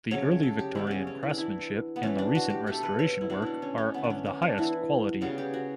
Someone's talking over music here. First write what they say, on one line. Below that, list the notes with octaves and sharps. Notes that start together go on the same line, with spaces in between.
The early-Victorian craftsmanship and the recent restoration work are of the highest quality.
C#3 F#3 A3 C#5
A4
G4
C#3 E3 G3 B3 E4
B3 C#4
C#4
E4
D4
E3 B3 E4
B3
E3 A3 C#4
D4
F#4
G4
B2 A3 A4
B4
C#5
E4
B2 A3 D4
D4 E4
C#4
C#4
D3 A3 B3
D4
C#4
C#4
D4
E3 B3 E4
C#3 G3 B3 F#4
G4
F#4